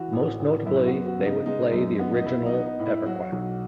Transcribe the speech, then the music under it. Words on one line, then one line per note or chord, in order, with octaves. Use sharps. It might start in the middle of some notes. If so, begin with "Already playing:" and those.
Most notably, they would play the original EverQuest.
Already playing: E3 F#4
A1
A1
F#2 E4
F#4
B3
F#4
C#3
D#4
G#3 D#4
F#2
B3
D#4
B1 E4
D#4
B3
D#4
A2
E4
F#3 F#4
B1